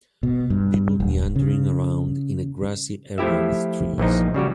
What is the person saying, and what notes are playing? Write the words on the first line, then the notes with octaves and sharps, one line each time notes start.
People meandering around in a grassy area with trees.
B2
G2
D#1
C#3
F3 A3 E4 G4 E5
A#1 E3 F3 D#4
C#3 G3 F#4 G4